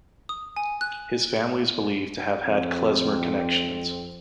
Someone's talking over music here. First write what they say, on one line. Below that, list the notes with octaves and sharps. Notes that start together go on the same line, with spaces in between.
His family is believed to have had klezmer connections.
D#6
G#5
F#6
F2 C4